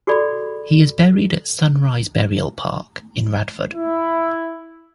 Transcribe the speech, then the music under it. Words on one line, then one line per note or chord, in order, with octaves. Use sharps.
He is buried at Sunrise Burial Park in Radford.
F#4 G#4 A4 D5 B5
E4